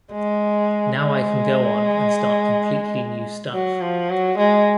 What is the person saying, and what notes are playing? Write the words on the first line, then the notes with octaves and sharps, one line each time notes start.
Now I can go on and start completely new stuff.
G#3
G#3
F#3
F3
F#3
G#3